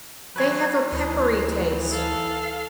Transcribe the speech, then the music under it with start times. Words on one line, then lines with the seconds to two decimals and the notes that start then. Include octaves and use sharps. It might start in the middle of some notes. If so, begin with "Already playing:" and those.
They have a peppery taste.
0.36 F#3 B4 G#5
0.92 D2 E3 D#4
1.92 A4 F5